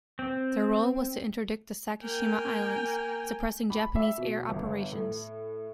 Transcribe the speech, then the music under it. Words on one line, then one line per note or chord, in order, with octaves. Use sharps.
Their role was to interdict the Sakishima Islands, suppressing Japanese air operations.
C4
A#3 G5 G#5
B5
E5
B2
G1
A2